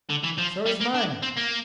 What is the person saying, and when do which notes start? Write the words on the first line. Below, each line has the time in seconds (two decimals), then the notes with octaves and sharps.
"So has mine."
0.10 D3
0.24 E3
0.38 F3
0.66 G3
0.80 A#3
0.94 D4
1.23 C4
1.37 A#3